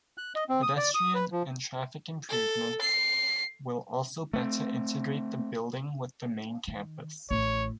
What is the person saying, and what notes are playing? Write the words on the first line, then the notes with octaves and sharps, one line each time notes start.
Pedestrian and traffic improvements will also better integrate the building with the main campus.
F#6
D#5
C4
D#6
D5
D#6
B4
F3
A4
C7
A3 B3 C4
D#3
A1 E4 C#5